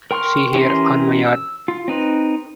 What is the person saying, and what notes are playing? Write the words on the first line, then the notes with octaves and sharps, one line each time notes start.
See here, on my arm!
A#4 G5 C6 C#6 F6
E3 C#4 G4 A#4 C6
E6
F4
C4 D#4 B4